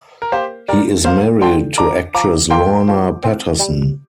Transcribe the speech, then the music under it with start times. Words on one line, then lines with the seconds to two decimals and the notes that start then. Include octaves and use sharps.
He is married to actress Lorna Patterson.
0.22 A#4
0.32 A#3 G4 C5
0.68 G3 A#4 D5
1.05 A#3 C5 F5
1.41 D3 G5 C6
1.78 D4 A#5 D6
2.15 F3 A#5 D6
2.50 A#3 G5 C6
2.88 F3
3.24 C4
3.59 G3